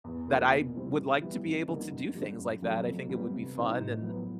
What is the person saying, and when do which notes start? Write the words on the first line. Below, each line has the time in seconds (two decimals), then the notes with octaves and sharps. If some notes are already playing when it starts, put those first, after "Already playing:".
that I would like to be able to do things like that. I think it would be fun, and,
0.04 E2
0.28 C#3 F3 A#3 D4
0.51 B2
0.75 G3 C4 E4
0.98 C#3
1.21 E3 G3 B3 E4
1.45 F2
1.68 D3 G3 A#3 D#4
1.91 F#2
2.15 D3 G3
2.38 F#2
2.62 C#3 F#3 A3
2.85 F2
3.08 D3 G3 B3
3.32 C3
3.55 E3 G3 C4 D#4
3.79 A2
4.02 F#3 B3 E4